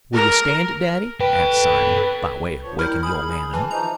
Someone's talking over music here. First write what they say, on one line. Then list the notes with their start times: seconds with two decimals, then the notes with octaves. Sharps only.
"Will you stand it, daddy?" asked Simon, by way of waking the old man up.
0.14 A#4
1.20 A4 B4 G5
2.63 F3 C#5
2.79 D#2 G3 E4 A#4 F6 G6
3.03 G#4 B5 D#6
3.53 E3 G#5 A5
3.71 E3 F3 D#4 A#5